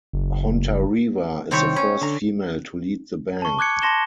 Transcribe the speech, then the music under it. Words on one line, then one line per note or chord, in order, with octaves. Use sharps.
Hontareva is the first female to lead the bank.
F#1
C2 D#3 C4 C#5 B5
C#4 B5
D3 A#5
A5 C#6
D6 F#6 G#6 C#7
A5 C6 A#6 E7 G7